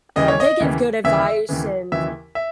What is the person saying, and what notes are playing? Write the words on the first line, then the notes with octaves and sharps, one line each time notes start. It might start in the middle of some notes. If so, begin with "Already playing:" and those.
um, they give good advice, and,
D#2 C#3 E3 D#5
C#5
D#5
D#2 C#3 E3
D#2 C#3 E3 E5
D#2 C#3 E3
D#2 C#3 E3 E5
E5